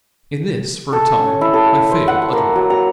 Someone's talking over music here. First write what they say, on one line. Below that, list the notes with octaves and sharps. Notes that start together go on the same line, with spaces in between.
In this, for a time, I failed utterly.
A4
C#4
E4
A4
C5
F#5
A#3
F#3
A#5